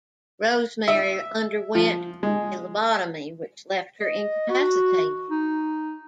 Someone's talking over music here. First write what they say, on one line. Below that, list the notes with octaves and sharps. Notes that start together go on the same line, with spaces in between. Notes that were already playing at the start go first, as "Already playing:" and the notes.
Rosemary underwent a lobotomy which left her incapacitated.
E5
F3
G#3
D#5
F#4
D#4